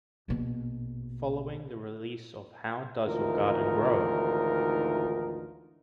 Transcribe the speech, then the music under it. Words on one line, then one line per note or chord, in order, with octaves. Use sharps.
Following the release of How Does Your Garden Grow?
A#1 B2
G#1 D2 E3 D#4 F4 A#4